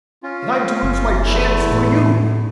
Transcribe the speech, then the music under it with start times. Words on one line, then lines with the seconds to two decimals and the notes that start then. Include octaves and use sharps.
And I'm to lose my chance for you!
0.23 C#4 F4
0.83 F#1
1.24 E2 A3 E4
1.72 A2